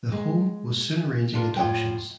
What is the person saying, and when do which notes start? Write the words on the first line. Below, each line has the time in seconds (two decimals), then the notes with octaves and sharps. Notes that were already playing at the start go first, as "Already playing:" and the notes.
The home was soon arranging adoptions.
0.12 G#3
1.34 D4 F4 A#4
1.57 A2 F4 C#5 F#5 G5